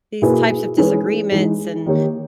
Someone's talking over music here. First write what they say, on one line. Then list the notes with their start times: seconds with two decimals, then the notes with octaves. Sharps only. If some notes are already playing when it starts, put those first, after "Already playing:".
these types of disagreements, and
0.22 B2 A#3 E4 G#4 B4
0.77 E3 G#3 C#4 G#4 B4
1.31 E3 G#3 D#4
1.86 D#3 A#3 D#4 G4 C#5